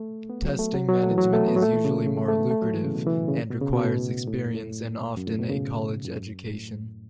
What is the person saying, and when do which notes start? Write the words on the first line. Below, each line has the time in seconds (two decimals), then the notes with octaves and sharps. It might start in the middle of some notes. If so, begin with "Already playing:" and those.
Testing management is usually more lucrative, and requires experience and often a college education.
Already playing: A3
0.30 B3
0.45 F#3
0.59 A3
0.74 F#3
0.89 F#3
1.03 A3
1.11 E3
1.18 F#3
1.33 A3
1.48 B3
1.56 F#3
1.63 A3
1.73 E3
1.85 C#3
1.95 B2
2.07 C#3
2.17 A3
2.28 A3
2.40 B3
2.51 A3
2.62 F#3
2.74 E3
2.84 C#3
2.95 B2
3.06 E3
3.17 A2
3.29 C#3
3.50 B2
3.61 C#3
3.73 B2
3.84 A2
4.27 A2
4.41 F#2
4.55 A2
5.17 F#2
5.27 A2
5.39 B2
5.49 C#3
6.05 F#2
6.49 A2